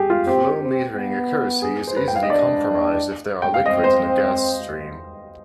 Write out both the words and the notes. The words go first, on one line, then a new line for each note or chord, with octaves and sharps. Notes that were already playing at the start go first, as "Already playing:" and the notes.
Flow metering accuracy is easily compromised if there are liquids in the gas stream.
Already playing: G4 G#4
F4
C4 G4
C4
B3
G#4
C5
B4
G5
F5
D#5
D4 D5
G5
F5
C4 D#5
C5